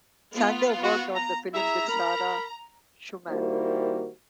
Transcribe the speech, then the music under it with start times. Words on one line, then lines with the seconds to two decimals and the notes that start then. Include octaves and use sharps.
Sander worked on the film with Sara Schumann.
0.33 B3 F4
0.84 F#4
1.15 A#5
1.54 E4 G#4 E5 A#5
1.88 A#4 B5
3.29 D#3 G3 A#3 E4 F#4 C5